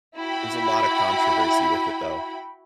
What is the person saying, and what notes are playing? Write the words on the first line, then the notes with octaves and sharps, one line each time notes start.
there's a lot of controversy with it though.
E4 F#4 G5 B5